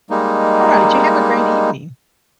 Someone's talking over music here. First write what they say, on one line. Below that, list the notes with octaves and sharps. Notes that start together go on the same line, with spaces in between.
All right, you have a great evening.
G3 G#3 A#3 D#4